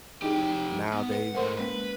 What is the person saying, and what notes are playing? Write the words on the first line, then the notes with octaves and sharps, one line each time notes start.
now they've
F2 D#4 E4 G4 G#4
B3
B4 F#5
G#2 A3 A#4 C5 C6
G#3 A#3 C#4 B4